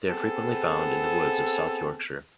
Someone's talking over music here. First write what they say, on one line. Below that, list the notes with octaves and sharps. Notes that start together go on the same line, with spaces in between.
They are frequently found in the woods of South Yorkshire.
B3 C4 G#4 A4